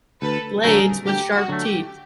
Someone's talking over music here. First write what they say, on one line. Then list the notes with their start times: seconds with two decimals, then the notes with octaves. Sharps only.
Blades with sharp teeth.
0.21 D2 A4 B4
0.63 D3 F#3 A3 G#4 A#4
1.06 D2 G4
1.35 F#4
1.49 D3 F#3 A3
1.62 G4